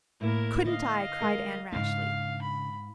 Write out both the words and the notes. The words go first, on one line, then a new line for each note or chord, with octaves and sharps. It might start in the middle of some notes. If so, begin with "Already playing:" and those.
"Couldn't I?" cried Anne rashly.
A2 A#3 E4 A#4
D3 D#5 F5
G#3 A#4
G#2 C#3 C4 D4 F5
B5